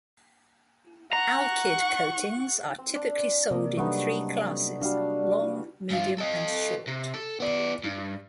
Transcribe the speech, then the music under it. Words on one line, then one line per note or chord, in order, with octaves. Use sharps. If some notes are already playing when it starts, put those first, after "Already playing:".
Alkyd coatings are typically sold in three classes: long, medium, and short.
F#5 A#5 C#6
C4
D4
C3 A#3 A#4 D#5
F#3 G3 A3 B3 D4 D#4
G3 D4 F#4 F5
G2 F4
A4 D#5
C3
A4
B3 D5
G2